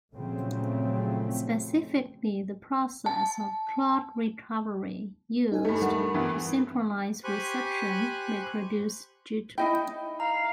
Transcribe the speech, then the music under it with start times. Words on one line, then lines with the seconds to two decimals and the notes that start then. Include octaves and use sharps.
Specifically the process of clock recovery used to synchronize reception may produce jitter.
0.14 A#2 C#3 F3 F#3 A3 C4
3.06 A5
5.52 D#4 A4 G#5
5.65 G2 A3
5.82 G3 A#4 F#5
6.14 G2 E3 B3
7.24 G4 C5 G#5 B5 C#6 F#6
9.58 D#4 E4 D#5 G5
10.20 F5 A#5